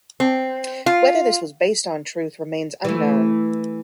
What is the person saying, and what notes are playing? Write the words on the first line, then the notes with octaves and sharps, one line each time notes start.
Whether this was based on truth remains unknown.
C4
F4
E3 A3